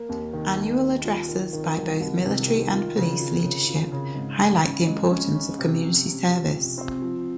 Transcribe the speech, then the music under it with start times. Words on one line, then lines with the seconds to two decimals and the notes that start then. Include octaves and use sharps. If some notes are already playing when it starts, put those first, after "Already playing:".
Annual addresses by both military and police leadership highlight the importance of community service.
Already playing: A#3
0.09 D#2
0.33 D#3
0.57 A#3
0.81 A#3
1.05 F4
1.29 D#3
1.53 D#3
1.77 C2
2.01 C2
2.24 C3
2.48 D#3
2.72 F4
2.96 C#3
3.20 F4
3.44 C#3
3.68 F4
3.92 C#3
4.15 G#2
4.39 G#2
4.64 C#4
4.87 G#3
5.10 C#4
5.35 C#4
5.58 C3
5.82 C3
6.06 C3
6.30 F3
6.54 C3
6.78 C4
7.02 F3